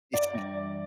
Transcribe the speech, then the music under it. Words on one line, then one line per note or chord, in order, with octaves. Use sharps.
you see
F#2 D5
E3 G3 D4
F#2